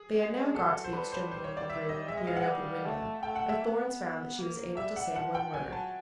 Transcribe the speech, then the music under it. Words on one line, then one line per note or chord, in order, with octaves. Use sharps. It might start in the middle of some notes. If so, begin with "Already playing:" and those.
They had now got to the extremity of the room near an open window, and Florence found that she was able to say one word.
Already playing: G#4
G#3
F#3 A4
C5
G3 B4
C5
C5
C#5
D5
E5
D#5
G#3 E5
D#5
F5
F#5
G3
A3
A3 G5
F#5
E5
B3
A#3
G3 E5
F#5
F3 F#5
G5
F#3 G#5
A5